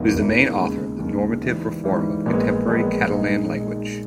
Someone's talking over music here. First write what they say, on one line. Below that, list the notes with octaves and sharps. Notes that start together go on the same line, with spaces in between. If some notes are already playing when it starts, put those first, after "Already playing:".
He was the main author of the normative reform of contemporary Catalan language.
Already playing: E1 E2 D#3 A#3 E4
E1 E2 D#3 A#3 E4
D#2 C#3 G#3
D#2 C#3 G#3
G#2 E3 G3
G#2 E3 G3
A#1 A#2 G#3 B3
A#1 A#2 G#3 B3
A#2 G#3 D#4
A#2 G#3 D#4